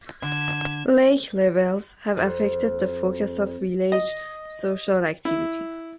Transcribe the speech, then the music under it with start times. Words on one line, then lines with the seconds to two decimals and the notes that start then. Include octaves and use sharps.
Lake levels have affected the focus of village social activities.
0.22 D3 G#6 E7
2.17 F2
3.92 D#5
5.25 E4